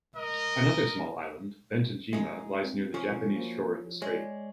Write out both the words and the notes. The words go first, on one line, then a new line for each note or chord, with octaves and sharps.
Another small island, Bentenjima, lies near the Japanese shore of the strait.
A#4 D#5
G#3 D#4
C4
F3 C#4
A#3 F#4 C5
G#3 C#5 D5